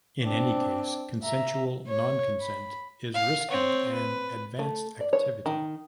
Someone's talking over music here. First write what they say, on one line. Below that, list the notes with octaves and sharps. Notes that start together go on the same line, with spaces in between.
In any case "consensual nonconsent" is risky and advanced activity.
C4 D4
E5 A#5
C#5
B5
F5
C4 C#5
B4
A3
D5
C#5
D#3